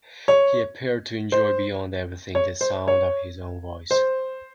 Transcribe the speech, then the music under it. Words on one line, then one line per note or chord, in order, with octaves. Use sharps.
He appeared to enjoy beyond everything the sound of his own voice.
C#5
C5
C#5
C5
C#5
C5